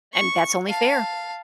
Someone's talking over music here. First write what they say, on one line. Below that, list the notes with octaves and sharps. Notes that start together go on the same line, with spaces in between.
And, that's only fair.
C#6
F5 A5